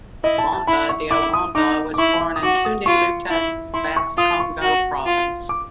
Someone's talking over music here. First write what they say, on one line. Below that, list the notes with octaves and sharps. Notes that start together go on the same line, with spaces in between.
Wamba dia Wamba was born in Sundi-Lutete, Bas-Congo Province.
E4 D#5
A5
A5
E4 B5
C#6
E4 D6
D#6
D#4 D6
D6
E4 C#6
D6
D#6
F#4 D6
D#6
F4 C#6
E4
E4 C6
C#6
F4 D#6
C#6
F#4
F4
D6